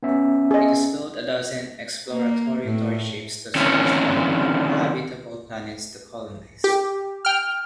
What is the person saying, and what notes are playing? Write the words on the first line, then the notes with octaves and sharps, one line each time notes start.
It has built a dozen exploratory torchships to search for habitable planets to colonize.
B3 C#4 E5
G#4 D#5
A#3
A2
D3 D#3 C4 C#4 E4
G4
G5 F6